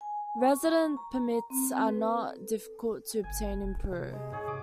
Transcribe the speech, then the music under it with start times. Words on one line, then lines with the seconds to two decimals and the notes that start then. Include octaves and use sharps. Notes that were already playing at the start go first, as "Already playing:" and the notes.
Residence permits are not difficult to obtain in Peru.
0.01 G#5
0.40 C#6
0.97 A#5
1.50 C4
1.86 B4
2.15 A4
3.24 G1 G#5
3.52 E1
3.91 C3
4.13 G#3
4.32 G#2 G#4 C#5 F#5
4.48 C3 D6